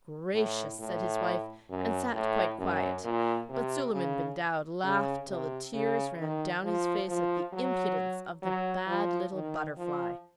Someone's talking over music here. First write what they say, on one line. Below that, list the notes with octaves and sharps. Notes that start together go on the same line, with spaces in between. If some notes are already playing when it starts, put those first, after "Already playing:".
'Gracious!' said his wife, and sat quite quiet; but Suleiman-bin-Daoud laughed till the tears ran down his face at the impudence of the bad little Butterfly.
A2
A2
F#2
A2
F#2
A#2
C3
C#3
C#3
C3
C#3
D#3
F3
F3
F#3
F#3
F3
D#3
F3